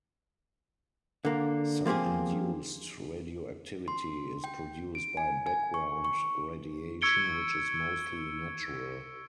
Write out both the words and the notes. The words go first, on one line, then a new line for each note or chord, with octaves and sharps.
Some induced radioactivity is produced by background radiation, which is mostly natural.
D3 A#3
F3 A#3 C4 G4 G#4
C6
G5
D7
G#5
G#5
C#6
C#6
C#6 E6 G#6 C#7 D7 G7